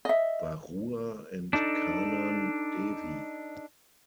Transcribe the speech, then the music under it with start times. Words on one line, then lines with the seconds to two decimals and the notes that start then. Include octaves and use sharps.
Barua and Kanan Devi.
0.05 D#5 E5
1.53 D4 D#4 A4